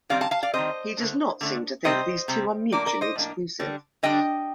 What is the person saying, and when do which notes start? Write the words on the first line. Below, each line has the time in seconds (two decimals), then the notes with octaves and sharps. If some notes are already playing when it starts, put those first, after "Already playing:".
He does not seem to think these two are mutually exclusive.
0.10 D#3 G3 C4 D5 F5
0.21 F5 A5
0.31 F5 A5
0.43 D5 F5
0.54 D#3 G3 C4 C5 D#5
0.97 D3 A3 D4
1.41 D3 A3 D4
1.84 C3 G3 C4 C5 D#5
2.28 C3 G3 C4
2.72 A2 F3 A#3 D4 A#4 D5
2.86 A#4 D5
3.01 C5 D#5
3.16 A2 F3 A#3 D4
3.59 D3 G3 D4
4.03 D3 G3 D4 D#5 G5